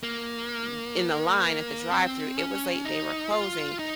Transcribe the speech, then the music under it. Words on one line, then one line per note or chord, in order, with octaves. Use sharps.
th in the line at the drive-thru, it was late, they were closing,
A#3
C4
C#4
D#4
F4
D#4